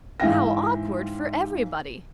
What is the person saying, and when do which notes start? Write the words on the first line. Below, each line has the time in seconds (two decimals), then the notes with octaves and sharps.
How awkward for everybody!
0.20 G#2 E3 E5 F5 G5 A#6